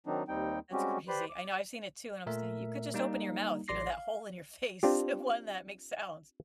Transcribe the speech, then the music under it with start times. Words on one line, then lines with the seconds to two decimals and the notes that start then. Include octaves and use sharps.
That's crazy, I know, I've seen it too, and I would say, "You could just open your mouth, you know? That hole in your face, the one that makes sounds."
0.07 D#3 F#3 C4 D4 D#4
0.28 D#2 G3 C4 D#4 G5
0.72 G3 G#3 C4 C#4 F#4 G4
1.08 G4 B4 C5 D5 B5 C6
1.29 D6
2.26 A#2 A3 A#4 E5
2.94 G3 A#3 D#4
3.68 A1 D5 C6 D6 A#6 C7
3.92 F5
4.83 C4 D4 F4 G4